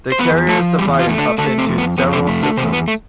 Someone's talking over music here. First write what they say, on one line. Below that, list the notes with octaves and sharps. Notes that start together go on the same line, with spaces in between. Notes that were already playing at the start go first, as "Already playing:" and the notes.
The carrier is divided up into several systems.
C5
E2 B3 B4
F3 A3 A4
E2 G3 G4
F3 F4
A3
D3 D4
D3 A3 D4
C3 C4
F2
B3
F2 B3
C3 C4
A3
D3 D4
E2 C3 C4
B3
A3